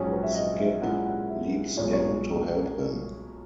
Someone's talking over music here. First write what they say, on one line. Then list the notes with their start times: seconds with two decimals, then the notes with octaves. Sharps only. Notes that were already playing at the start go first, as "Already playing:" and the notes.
Skip leaps in to help him.
Already playing: A#1 G#2 F#3 C#4 G#4 C#5
0.11 B4
0.23 E5
0.34 D#5
0.58 E5
0.82 A#2 G#3 C#4 E4 A#4 F#5
1.06 F#5
1.30 E5
1.77 B1 A#2 G#3 C#5
1.93 C#5